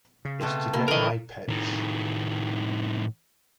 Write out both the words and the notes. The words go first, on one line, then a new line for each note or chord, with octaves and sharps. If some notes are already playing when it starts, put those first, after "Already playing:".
It's to get my pitch.
C#3
B2 A3 C4
A#3 E4 C6
D3 E3 A#4 D#5
A2 D#3